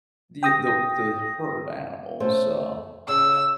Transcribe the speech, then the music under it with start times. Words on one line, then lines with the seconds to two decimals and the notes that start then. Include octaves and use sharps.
the the the herd animals, uh,
0.43 G5 D#6 A#6
2.20 A3 C#4 C5
3.08 C#3 E6